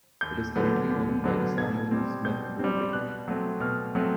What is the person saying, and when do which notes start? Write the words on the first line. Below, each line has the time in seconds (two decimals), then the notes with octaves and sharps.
It is currently owned by the Samuel Smith Brewery.
0.21 D#2 G6
0.55 D3 F#3 B3
0.90 D#2
1.24 D3 F#3 B3
1.58 B2 G#6
1.91 G3 C4
2.25 B2 G6
2.59 G3 C4
2.93 B2 F#6
3.28 F#3 A3 C4
3.60 B2 F6
3.95 F#3 A3 C4